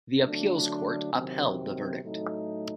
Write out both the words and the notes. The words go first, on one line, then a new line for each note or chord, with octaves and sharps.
The appeals court upheld the verdict.
D3 F#3 A3 D4
C3 D#3 F#3 C4
A2 F#3 A3 D#4